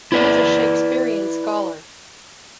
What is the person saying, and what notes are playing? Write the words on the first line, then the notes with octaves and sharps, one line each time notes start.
He was a Shakespearian scholar.
E4 B4 D5